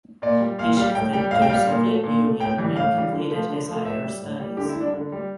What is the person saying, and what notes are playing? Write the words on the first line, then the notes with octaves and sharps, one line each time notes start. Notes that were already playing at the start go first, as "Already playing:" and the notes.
He shifted to Soviet Union and completed his higher studies.
A#2 D5
G3
A#2 F5
G3 F5
A2 G5
G3 G5
A2 F5
G5
G3 F5
A#2
A3
A#2
A3
A2 G5
E3 G3
A2 F5
E3 G3
D3
F3 A3
D3
F3 A3
A2 E5
G3
A2
G3
D3 G4
E4
G3
D4
D3
G3